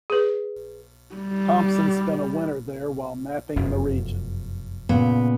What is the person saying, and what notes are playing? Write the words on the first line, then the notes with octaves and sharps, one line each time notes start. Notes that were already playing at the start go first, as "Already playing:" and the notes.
Thompson spent a winter there while mapping the region.
G#4 B4
G3
F1 F#2 B2
A#2 C#3 B3